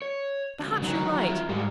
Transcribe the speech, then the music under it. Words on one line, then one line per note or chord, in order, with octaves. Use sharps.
Perhaps you're right.
C#5
D2 C#3
D#3 E3 F#3 A#4
F4 E5
G#2 G3 G#3 G4 A#4 F5